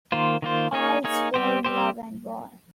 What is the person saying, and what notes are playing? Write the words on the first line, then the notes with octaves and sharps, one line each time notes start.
All's fair in love and war.
D#3 A#3 F4 C5
D#3 A#3 F4 C5
A#3 D#4 G#4 C#5
A#3 D#4 G#4 C#5
G3 C4 G4 C5
G3 C4 G4 C5